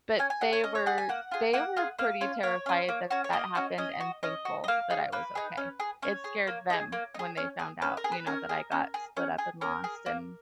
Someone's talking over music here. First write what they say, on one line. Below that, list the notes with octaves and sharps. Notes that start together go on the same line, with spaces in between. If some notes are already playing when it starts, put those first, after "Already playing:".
But they were they were pretty terrified that that happened and thankful that I was okay. It scared them when they found out, you know, that I got split up and lost, and,
C#4 G#5
G#5
G#4 F#5
C#5
C#4 D#5
C#5
G#4 F#5
G#5
A#3 F#5
F4 G#4
A#3 F#5
F4 G#4
A#3 F5
C#4 F4
A#3 C#5
C#4 F4
A#3
C#4 F#4
C#5
A#3 D#5
C#4 F#4
C#4 D#5
F#4
C#4 D#5
F#4
D#5
A#3 F5
D#4 G#4
A#3 B4
D#4 G#4
C#4
G#4
C#4 C#5
G#4
A#3
D#4 G#4
A#3
D#4
G#4
C#4
G#4
C#4 B4
A#4
G#4
B4
C#4 A#4
G#4
C#4
G#4
C#4
G#4
C#4 A#4
G#4
A#3